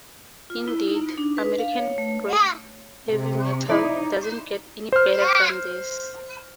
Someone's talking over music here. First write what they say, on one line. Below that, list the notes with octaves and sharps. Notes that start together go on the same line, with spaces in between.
Indeed, American-bred heavy metal doesn't get any better than this.
F4
E4
D#4
D4
B4
F5
C#5
A3
C3
D#4 E4 D5
C5 F6